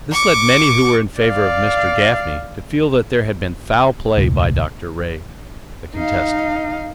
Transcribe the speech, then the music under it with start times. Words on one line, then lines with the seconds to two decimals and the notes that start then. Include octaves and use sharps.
This led many who were in favor of Mr. Gafney to feel that there had been foul play by Dr. Ray, the contestant.
0.11 C#6 D6
1.18 D5 F5
4.18 E1 C#2 A2
5.96 D#4 F5